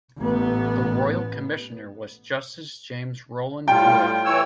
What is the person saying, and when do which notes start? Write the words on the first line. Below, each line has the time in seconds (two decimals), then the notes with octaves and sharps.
The Royal Commissioner was Justice James Roland Wood.
0.18 A1 B3
3.68 A2 G3 F4 G5
4.25 E3 C#5 E6